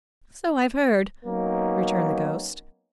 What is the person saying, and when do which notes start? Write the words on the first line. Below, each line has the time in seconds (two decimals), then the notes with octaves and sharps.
"So I've heard," returned the ghost.
1.25 F#3 A#3 B3 C#4 D#4